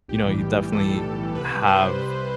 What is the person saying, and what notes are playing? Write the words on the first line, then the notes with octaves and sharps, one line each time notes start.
you know, you definitely have
B1 G4
A2 E3 G3
B1
A2 E3 G3
B1 A4
A2 E3 G3
B1
A2 E3 G3
C2 B4
C3 G3
C2 C5
C3 G3
C2
C3 G3